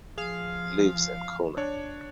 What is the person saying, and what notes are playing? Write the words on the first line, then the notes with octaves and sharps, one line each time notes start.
He lives in Khulna.
F3 G#4 F5
D4 C#5